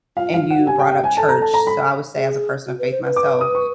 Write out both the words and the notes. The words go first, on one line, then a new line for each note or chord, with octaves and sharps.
and you brought up church, so I would say as a person of faith myself,
F4 F5
F5
F#5
F#4
G4 G#5
G5
G5
G#5
A4 A5
A#5
A5
A#5
B5
G#4
F#4
B4
C5
B4
D6
D#6
C#6